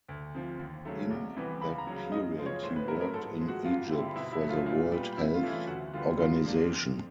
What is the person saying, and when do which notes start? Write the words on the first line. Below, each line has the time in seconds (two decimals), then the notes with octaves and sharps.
In that period he worked in Egypt for the World Health Organization.
0.09 D2
0.35 C3 F3
0.60 D#2
0.85 C#3 F#3 A3
1.11 C2
1.36 C3 E3 G3 B3
1.61 C#2 B5
1.78 A#5
1.87 C#3 F#3
2.12 F#2 D#5
2.37 C#3 F3 G#3
2.46 C#5
2.63 A2 C5
2.76 B4
2.88 F#3 A3 A#4
3.01 A#4
3.13 G#2 A4
3.40 F3 G#3
3.48 F#4
3.65 G2 F4
3.90 D3 G3 C4 E4
4.15 B2 E4
4.32 E4
4.41 F#3 A3
4.50 F4
4.66 A#2 F4
4.91 G3 B3
5.17 C3 E4
5.34 F4
5.43 E3 A3 C#4 E4
5.51 F4
5.67 D2 F#4
5.93 D3 G3 B3 F4
6.18 G#2 F4
6.44 F3 A#3 D4
6.70 F2